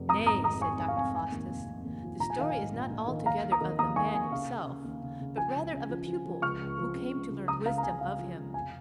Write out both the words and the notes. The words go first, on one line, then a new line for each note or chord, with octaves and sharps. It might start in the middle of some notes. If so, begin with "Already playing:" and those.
"Nay," said Dr. Faustus, "the story is not altogether of the man himself, but rather of a pupil who came to learn wisdom of him."
Already playing: F1
G#1 A#5 D#6
G#2 A#5 D#6
G#1 A#5 D#6
G#1 G#5 C#6
G#1 G#5
F5
G#1 G#5
F1 G#5
D#2
F1
F1
D#2
F3
A#1 A#5
G#5
D#3 F5
G#5
G#2
A#1
A#1
D#3
D#2 F5 A#5
D#3
A#5 D#6
D#3
D#2 A#5 D#6
D#3 G#5 C#6
D#2 G#5
C#3 F5
C#3
C#3
D#2
C#3
C#3
F3 G#5
C#2
C#3
F3
F3
F3
C#2 C#6 F6
C#2
F3
C#3
C#2
C#3
C#2 A#5 D#6
C#2 F5 A#5
A#5
C#2 G#5
C#2 F5
F3
C#2
F1 G#5